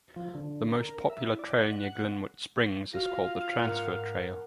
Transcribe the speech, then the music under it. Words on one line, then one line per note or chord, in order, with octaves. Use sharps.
The most popular trail near Glenwood Springs is called the Transfer Trail.
F3
D3
A#4
E5
E4
D5
F#5
F4 F#4 F5 A#6
G#2 A#4 F#5